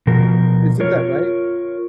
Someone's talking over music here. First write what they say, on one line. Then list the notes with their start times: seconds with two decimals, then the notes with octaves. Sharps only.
Isn't that right?
0.07 B2 F3 A#4
0.80 F4 A#4 C#5